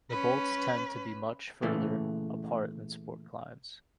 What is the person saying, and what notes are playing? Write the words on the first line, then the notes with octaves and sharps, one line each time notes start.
The bolts tend to be much farther apart than sport climbs.
C#4 B4
A#2 C#3 E3 A3